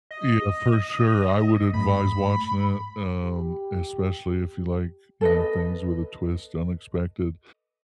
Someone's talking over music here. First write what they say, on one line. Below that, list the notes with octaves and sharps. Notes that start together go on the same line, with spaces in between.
Yeah, for sure, I would advise watching it, um, especially if you like, you know, things with a twist, unexpected.
D#5
G#2 A3 B5
G4
A4 B4 D#5